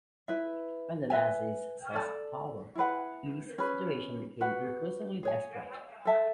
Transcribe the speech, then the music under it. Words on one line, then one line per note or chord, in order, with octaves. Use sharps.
When the Nazis seized power, Ley's situation became increasingly desperate.
E4 B4 E5
B4 E5 G#5
A4 D5 A5
E4 G#4 B4 F#5
C#4 G#4 B4
F#4 B4 F#5
G#4 C#5 G#5
A4 E5 A5